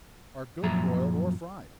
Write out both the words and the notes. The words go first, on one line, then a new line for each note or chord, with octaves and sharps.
Are good, broiled or fried.
F#2 A#2 F3 F#3 E5 A#5